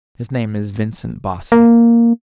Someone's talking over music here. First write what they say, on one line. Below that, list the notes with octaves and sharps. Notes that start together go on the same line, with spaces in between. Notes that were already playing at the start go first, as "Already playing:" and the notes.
His name is Vincent Bosse.
A#3